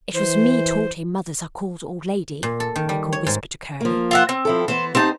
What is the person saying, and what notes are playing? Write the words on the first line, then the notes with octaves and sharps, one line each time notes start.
'It was me told him mothers are called old lady,' Michael whispered to Curly.
E3 C5
A#2
A4
D#3
G3
C#5
G#2
F3 A#3
F4 E5 F#5
C4
F3 E4 A4
E3 B3 C5
C4 D#4 G4 C5 A5